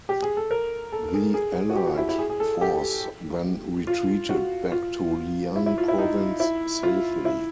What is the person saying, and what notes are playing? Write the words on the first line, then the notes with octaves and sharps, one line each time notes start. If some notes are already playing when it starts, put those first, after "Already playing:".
The allied force then retreated back to Liang Province safely.
G4
G#4
A4
A#4
A4
G#4
G#4
F#4
G4
F#4
E4
E4
G#4
G#4
A4
G4
F4
F#4
F4
E4
E4
F4
E4
D#4
E4
F4
E4